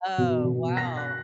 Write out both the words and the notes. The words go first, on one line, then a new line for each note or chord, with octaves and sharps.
Oh, wow.
B2
B2
A#6
F#6